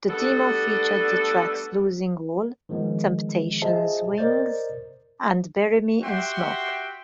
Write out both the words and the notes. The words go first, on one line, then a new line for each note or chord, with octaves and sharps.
The demo featured the tracks "Losing All", "Temptations Wings" and "Bury Me in Smoke".
G3 A3 B3 D4 F#4 A4
D#3 F3 G#3 B3
F4 G#4 C5 D#5 E5 A5
A#4 C5 D5 D#5 G6 A6
F#4 G4 E5 F#5 G5 C6